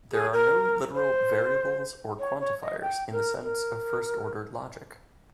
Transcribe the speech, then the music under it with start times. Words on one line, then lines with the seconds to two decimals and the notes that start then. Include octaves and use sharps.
There are no literal variables or quantifiers in the sense of first-order logic.
0.12 G#4
0.33 A#4
0.94 C5
2.19 C#5
2.40 C#5
2.61 D#5
2.82 G5
3.12 A#4
3.44 A#4